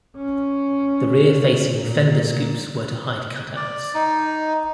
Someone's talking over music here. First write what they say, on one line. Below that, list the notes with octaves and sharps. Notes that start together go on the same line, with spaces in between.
The rear-facing fender scoops were to hide cutouts.
C#4
A#2
D5
D#4